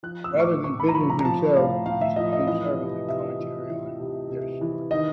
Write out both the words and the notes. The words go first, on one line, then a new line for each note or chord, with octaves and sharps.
Rather than visions themselves, these poems serve as a commentary on their source.
F3 F#6
E6
A2
C#6
D6
A2 C#6
B5
A#5
F3 B5
A#5
A#5
F3 A5
A2 F5
A2 F5
E5
F3 D#5
D#5
E3 D#5
C3
C3 E5
E3
E3
C3
C3
E3
D#3 D#5